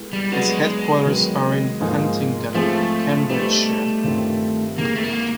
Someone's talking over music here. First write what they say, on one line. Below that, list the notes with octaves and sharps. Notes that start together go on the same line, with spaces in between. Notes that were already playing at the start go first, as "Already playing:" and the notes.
Its headquarters are in Huntingdon, Cambridgeshire.
Already playing: G#3 B3 E4 A4
G3
F#3 G#3 B3 D4 F#4
D#3 F#3 B3
G#2 F3 A#3 D#4 G#4
F3 G#3 A3 C4 F4 G#4
G3 A3 B3 D#4 G4 C5
G2 D#3 G3 C4 F4
D#3 G#3 A#3 C4 E4 G#4
A3
A#3